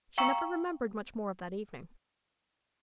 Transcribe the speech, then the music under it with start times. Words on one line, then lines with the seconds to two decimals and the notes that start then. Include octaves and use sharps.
She never remembered much more of that evening.
0.18 F5 G5 A#5 C#6 E6